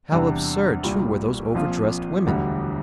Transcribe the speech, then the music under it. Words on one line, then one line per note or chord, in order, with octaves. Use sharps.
How absurd, too, were those overdressed women!
E2 C3 G3 D4
C2 A#2 G3
A#1 A#2 F3 C4 F4
E1 D2 D3 G3